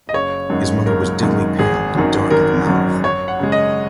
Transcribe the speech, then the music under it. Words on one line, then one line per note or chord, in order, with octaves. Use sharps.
His mother was deadly pale and dark at the mouth.
D#5
F#1 C#5
F#2 D#3 G#3
F#1 A#4
F#2 D#3 G#3
G#1 G#4
F#2 D#3 F#3
G#1 A#4
F#2 D#3 F#3
F#2 C#5
F#5
C#3 G#3
D#5